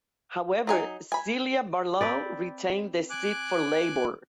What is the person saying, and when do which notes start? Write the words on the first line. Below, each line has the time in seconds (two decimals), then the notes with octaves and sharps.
However, Celia Barlow retained the seat for Labour.
0.67 F#3 D#4 G#5
1.12 G#5 B5
2.01 C4 B4 D5
3.10 G#5 D6 F#6